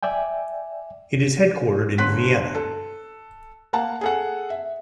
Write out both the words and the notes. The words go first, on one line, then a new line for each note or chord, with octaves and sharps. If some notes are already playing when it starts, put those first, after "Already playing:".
It is headquartered in Vienna.
D5 E5 G5 G#5
G1 C6 F#6 B6
A4
A#3 F5 F#5 A5
G#4 A4 F#5
E5